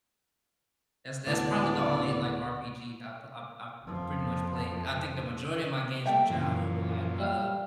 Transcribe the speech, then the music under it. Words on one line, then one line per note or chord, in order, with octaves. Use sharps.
that's that's probably the only, like, RPG I've p I've I've pretty much played, I think the majority of my games from childhood were, like, uh,
D2 A2 B3 D4 D5
F2 F3
G3 A3 A#3 E5 G5
F#2 A#2 E3 F3
G3 F5